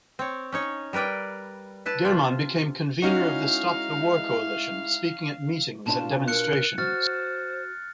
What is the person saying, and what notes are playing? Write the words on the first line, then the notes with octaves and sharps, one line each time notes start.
German became convenor of the Stop the War Coalition, speaking at meetings and demonstrations.
C4 C#5
C#4 D#4 C#5
G3 A#4 B4 D5 G5
E4 B4 A5
C3 F4
G#3 C#4 D#4 E4 F#4 F5
B2 D4 F4 A5
A#4 F#6 C#7
F#4 C5 F6 A6